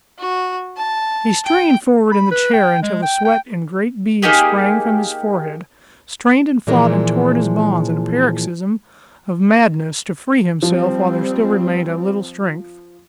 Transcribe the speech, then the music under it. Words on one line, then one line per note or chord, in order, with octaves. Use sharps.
He strained forward in the chair until the sweat in great beads sprang from his forehead, strained and fought and tore at his bonds in a paroxysm of madness to free himself while there still remained a little strength.
F#4
A5
G5
B5
B4
G5
G#3
G5
G5
A#3 D#4 G4 G#4
A#2 E3 F3 G#3 A#4
F3 G3 C4